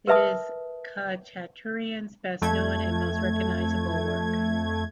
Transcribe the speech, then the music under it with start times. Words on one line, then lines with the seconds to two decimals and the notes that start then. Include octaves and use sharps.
It is Khachaturian's best known and most recognizable work.
0.07 A#4 B4 E5 A5 D#6
2.42 F2 A3 G#6